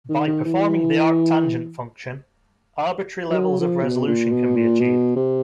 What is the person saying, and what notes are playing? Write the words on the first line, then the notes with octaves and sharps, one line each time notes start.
By performing the arctangent function, arbitrary levels of resolution can be achieved.
D#3
D#3
E3
F3
F#3
F3
B2
A#2
B2
A#2
B2
C3